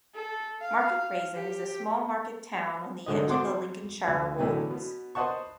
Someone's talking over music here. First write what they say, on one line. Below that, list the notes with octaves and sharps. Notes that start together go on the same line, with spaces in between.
Market Rasen is a small market town on the edge of the Lincolnshire Wolds.
A4
F5
G4
G#2 D3 D#5
B2 C4 C5 F#5 D6
D2
A2 D3 E3 F#3 B3
B2 B3
B4 C5 D#5 F#5 A5 C#6